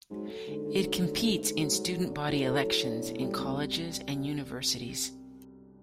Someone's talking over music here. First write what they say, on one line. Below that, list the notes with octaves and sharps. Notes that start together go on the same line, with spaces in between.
It competes in student-body elections in colleges and universities.
G#2 F#3
A3
G#2 D3
G#2 D3
F#3
D3
A3
A3
F#3
F#3
F#3
D4
A2 F#3
A3
F#3
D4
B2
G3
C2